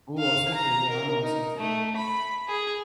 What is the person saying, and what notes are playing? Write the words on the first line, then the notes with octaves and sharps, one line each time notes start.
Ooh, ohsxnta, yeah, I know ohsxnta.
F5
A#5
A#4
D#4
A3
B5
G#4